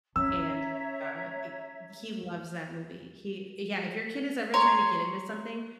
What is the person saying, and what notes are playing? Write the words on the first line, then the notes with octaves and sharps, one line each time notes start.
and, uh, it he loves that movie, he yeah, if your kid is ever trying to get into something,
C#4 C#5 E5 A#5 E6
C#5 A#5 C6